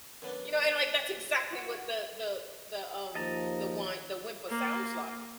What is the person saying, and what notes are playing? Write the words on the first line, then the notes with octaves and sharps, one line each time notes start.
You know? And, like, that's exactly what the the the, um, the whine the whimper sounds like.
F#2 B3 D4
F#4
D#2 F3 D#5 A5 A#5
A#3